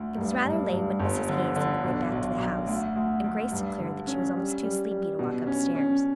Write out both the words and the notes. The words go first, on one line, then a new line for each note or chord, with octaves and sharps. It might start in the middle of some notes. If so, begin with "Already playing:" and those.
It was rather late when Mrs. Hayes led the way back to the house, and Grace declared that she was almost too sleepy to walk up-stairs.
Already playing: D2
G2
G2
G2
G1
D3
D3
B1
B1
B1
D2
D2
D2
G2
D3
C#4
G3
G3
G3
B2
C#4
C#4